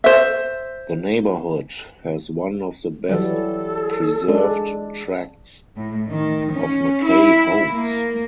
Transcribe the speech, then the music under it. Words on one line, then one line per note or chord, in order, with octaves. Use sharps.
The neighborhood has one of the best preserved tracts of Mackay homes.
C5 E5
E3 F#3 G3 A4
G#3 D4
A2
D#3
C#4
E4
A#3